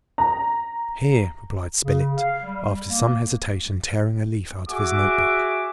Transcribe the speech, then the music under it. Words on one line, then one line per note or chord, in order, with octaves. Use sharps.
"Here," replied Spilett, after some hesitation tearing a leaf out of his note-book.
A#5
C#3
F5
G3
G3
A#3
F#4 G#4 E5 D6